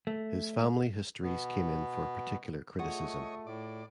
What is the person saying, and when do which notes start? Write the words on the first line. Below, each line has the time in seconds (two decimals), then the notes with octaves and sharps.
His family histories came in for particular criticism.
0.07 A3
1.23 B2 B3
2.79 A3 F4 G#4 C#5 D#5 F#5
3.47 A2 D5